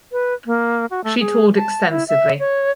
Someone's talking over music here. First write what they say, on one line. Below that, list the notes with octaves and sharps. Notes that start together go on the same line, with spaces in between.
She toured extensively.
B4
A#3
F#4
A3
G#4
A5
E4
E5
C#5